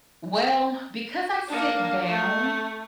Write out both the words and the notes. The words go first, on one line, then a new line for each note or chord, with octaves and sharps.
Well, because I sit down
A#3 D4
A3